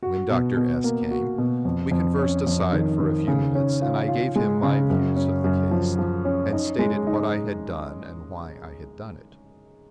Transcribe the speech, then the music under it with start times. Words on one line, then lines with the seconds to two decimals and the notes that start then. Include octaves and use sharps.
When Dr. S-- came, we conversed aside for a few minutes, and I gave him my views of the case, and stated what I had done and why I had done it.
0.03 F#4
0.30 B2
0.56 B2
0.84 A#3
1.11 F#4
1.38 B2
1.65 F2
1.92 F2
2.19 C#4
2.47 F2
2.73 D#3
3.00 D#3
3.27 C#3
3.55 C#4
3.82 F4
4.08 F4
4.35 G#3
4.63 C#3
4.90 F#2
5.16 C#4
5.44 F#2
5.71 F3
5.99 F3
6.25 C#4
6.52 D#4
6.79 G#3
7.07 D#4